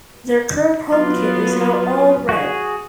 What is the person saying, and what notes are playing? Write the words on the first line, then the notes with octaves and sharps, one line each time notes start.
Their current home kit is now all red.
F#3 B3 F4
F#4 G#4